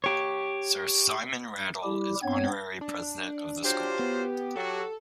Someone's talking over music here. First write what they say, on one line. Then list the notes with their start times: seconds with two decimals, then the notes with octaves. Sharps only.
Sir Simon Rattle is honorary president of the school.
0.04 G4 C#5
1.83 G3 E4 G4
2.23 G2 B3 C4 C#5 G#6
2.81 D4
3.64 F#3 F4 G4 C5
3.99 B3
4.56 F#3 F#4 A4